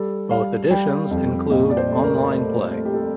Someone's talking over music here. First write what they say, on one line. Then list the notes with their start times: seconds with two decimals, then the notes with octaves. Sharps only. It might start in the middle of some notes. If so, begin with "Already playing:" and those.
Both editions include online play.
Already playing: G3 A4
0.31 G3 F5
0.71 G3 G5
1.11 F2
1.50 A#2 D#5
1.70 D5
1.77 C5
1.90 A3
2.04 A#4
2.30 A3
2.71 A3
2.85 G4
2.94 A4